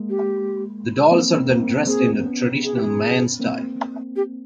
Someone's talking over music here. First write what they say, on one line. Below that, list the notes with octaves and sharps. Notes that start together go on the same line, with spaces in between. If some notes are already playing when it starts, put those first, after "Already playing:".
The dolls are then dressed in traditional Mayan style.
Already playing: G#3 A#3
G4
A#3 C4
A#3 C4
A#3 C4 G#4
B3 C#4
G#4
G4
G#4
A#3 C4
G4